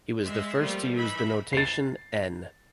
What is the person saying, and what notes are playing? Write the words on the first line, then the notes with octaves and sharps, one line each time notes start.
He was the first to use the notation "n"!
G#3 E5 C6
F3 G3 A3 A#3 F4
E3 D#4 E5 B5
A6 C7